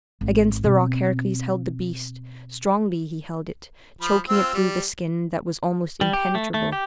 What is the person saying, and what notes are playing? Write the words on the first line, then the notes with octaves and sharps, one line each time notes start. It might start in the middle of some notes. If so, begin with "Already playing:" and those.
Against the rock Heracles held the beast; strongly he held it, choking it through the skin that was almost impenetrable.
G#1
B2 C4
F3 B5
C4 F4 E6
G3
G3
G4
A3
A3
G4